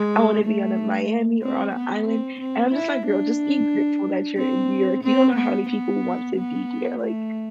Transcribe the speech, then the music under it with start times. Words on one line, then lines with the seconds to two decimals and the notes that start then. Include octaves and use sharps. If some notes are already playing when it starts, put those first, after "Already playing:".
I wanna be out in Miami or on an island." And I'm just like, "Girl, just be grateful that you're in New York, you don't know how many people want to be here." Like,
Already playing: G#3
0.44 A3
1.43 C4
1.76 B3
2.08 C4
2.41 C4
2.74 E4
3.07 D4
4.38 C4
5.03 C4
5.36 B3
5.69 B3
6.35 B3
7.00 A3